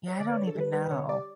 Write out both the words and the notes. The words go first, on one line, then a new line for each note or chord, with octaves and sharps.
Yeah, I don't even know.
C#5
D3 D5
B4
C#5
D4
A4
G3
B4
G3 B4
B4
D3 C#5
G3 D5